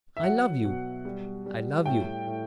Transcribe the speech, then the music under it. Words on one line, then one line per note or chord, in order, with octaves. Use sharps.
I love you!--I love you!
E5
F#3 F#5
B2
G3
G3
A2 G5
A2